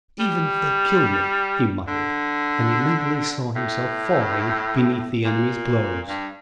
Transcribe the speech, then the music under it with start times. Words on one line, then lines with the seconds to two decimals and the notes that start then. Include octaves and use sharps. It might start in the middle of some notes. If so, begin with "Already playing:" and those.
"Even if they kill me," he muttered, and he mentally saw himself falling beneath the enemy's blows.
0.20 G3
1.88 D3
3.56 A2
5.25 A#2
6.08 G2